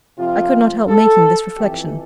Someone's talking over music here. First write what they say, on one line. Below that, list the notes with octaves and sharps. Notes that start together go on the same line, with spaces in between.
I could not help making this reflection.
F2 C3 F3 F4
A4
F2 E3 G4